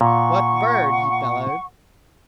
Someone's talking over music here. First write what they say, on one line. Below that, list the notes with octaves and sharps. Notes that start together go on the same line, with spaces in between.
"What bird?" he bellowed.
A#2 F#5 C#6